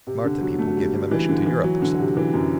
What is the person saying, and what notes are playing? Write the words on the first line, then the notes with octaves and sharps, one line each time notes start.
Marta people give him a mission to Europe, or something?
C3
D3
F#3
A3
F#3
G3
G3
E3
D3
E3
F#3
D3
C3
E3
F#2